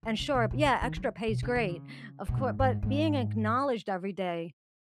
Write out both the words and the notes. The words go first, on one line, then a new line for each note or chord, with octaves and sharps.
and sure, yeah, extra pay's great, of cour but being acknowledged every day
D#3
C#3
B2
B2
C#3
D#3
F#3
B2
C#3
D#3
C#3
B2
G#2
G#2
G#2